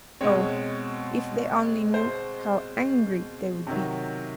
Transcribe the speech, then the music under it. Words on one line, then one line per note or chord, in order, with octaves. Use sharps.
Oh, if they only knew, how angry they would be!'
B2 G#3 C4 C#5
C5
C3 D#3 F#3